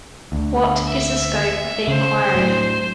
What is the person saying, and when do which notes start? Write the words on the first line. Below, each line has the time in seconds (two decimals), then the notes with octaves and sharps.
What is the scope of the inquiry?
0.32 D2
0.87 E5
1.88 C#3 C5
2.35 A2 F#3